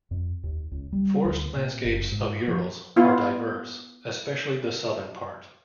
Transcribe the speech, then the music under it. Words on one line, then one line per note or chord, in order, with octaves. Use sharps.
Forest landscapes of Urals are diverse, especially the southern part.
F2
D#2
C#2
G3
D2
A#2
F#1
G#2
F3
B3 E4 F4